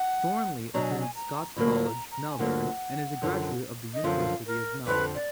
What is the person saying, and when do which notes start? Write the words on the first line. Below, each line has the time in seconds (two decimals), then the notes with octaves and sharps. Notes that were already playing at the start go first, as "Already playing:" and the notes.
Thornley attended Scotch College, Melbourne and is a graduate of the University of Melbourne.
Already playing: F#5
0.74 B2 F#3 D4 A#5
0.83 G#5
0.91 F#5
1.00 G#5
1.15 A#5
1.56 D2 D3 F#3 A#3 F4 B5
1.85 A#5
2.11 A#5
2.31 G#5
2.39 D2 D3 F#3 A#3 F4 F#5
3.22 F#2 D3 F3
3.94 D#5
4.04 F#2 D3 F3 F5
4.46 A#4
4.86 F2 D3 F3 B4
5.15 D5